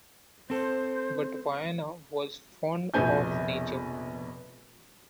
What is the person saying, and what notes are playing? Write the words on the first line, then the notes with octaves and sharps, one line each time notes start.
But Viana was fond of Nature.
C4 A4 C5
F1 A#1 B2 B3 G#5 G6